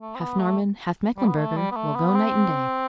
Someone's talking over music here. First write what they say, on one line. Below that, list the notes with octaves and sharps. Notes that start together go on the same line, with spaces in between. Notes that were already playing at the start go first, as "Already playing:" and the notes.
"Half Norman, half Mecklenburger; will go night and day."
A3
C4
B3
A3
G3
B3
A3
G3
B3
A3
B3
C4